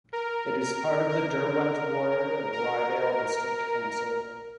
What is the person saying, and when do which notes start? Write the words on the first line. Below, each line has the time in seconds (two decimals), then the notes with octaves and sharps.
It is part of the Derwent ward of Ryedale District Council.
0.13 A#4
0.60 A#4
1.09 A#4
2.52 A#4